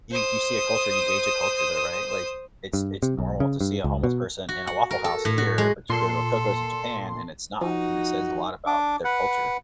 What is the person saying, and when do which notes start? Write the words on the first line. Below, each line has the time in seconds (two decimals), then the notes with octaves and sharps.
you you see a culture, you gauge a culture there, right? Like, it's it's normal to see a homeless person in a Waffle House here, but you go to a Coco's in Japan and it's not, and it says a lot about their culture.
0.11 C5 D#6
2.73 G2
3.03 C3
3.19 B1
3.40 C#3
3.61 G2
3.84 C#2
4.04 B2
4.49 F#4
4.67 F#5
4.91 A#4
5.04 A4
5.25 A2
5.38 F#4
5.58 G#3
5.89 A#2 A4 C6
7.61 F3 D#4 F#4
8.67 D4 D6
9.05 B4 F#5